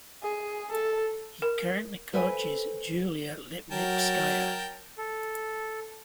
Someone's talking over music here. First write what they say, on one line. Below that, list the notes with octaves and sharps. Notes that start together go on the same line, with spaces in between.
He currently coaches Julia Lipnitskaya.
G#4
A4
A#4
A4 B4 C5 E5 G5 G#5
F#3 A#4 G5 A5
A4